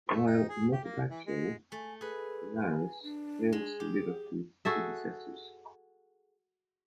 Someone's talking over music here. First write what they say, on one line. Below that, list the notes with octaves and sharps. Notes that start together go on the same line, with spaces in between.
While not a bad show, 'Louse' fails to live up to its predecessors.
A3
D#4
G#4
G4
A#3
E3
G#3
A3 G#5
G#4 A4 B4
G#5
D4
G#3
G4 G#4
F#4 G#4 A4 E5